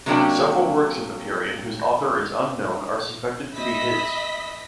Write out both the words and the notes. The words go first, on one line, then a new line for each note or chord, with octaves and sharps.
Several works of the period whose author is unknown are suspected to be his.
C3 F#3 A#3 C#4 D4 G5
D#5 E5 B5 B6